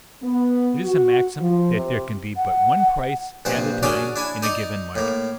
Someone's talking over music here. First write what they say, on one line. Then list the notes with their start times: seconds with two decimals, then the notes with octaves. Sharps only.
It is a maxim that there can be but one price at a time in a given market.
0.22 B3
0.83 F#4
1.40 F3
1.74 C3
2.37 F#5
3.45 A#1 G2 C4 C5 F#5
3.83 C#4 D4 F#4 G#4 A#4 D5
4.16 D4 E4 G#5
4.43 D#4 D5 D#5
4.95 A2 A#3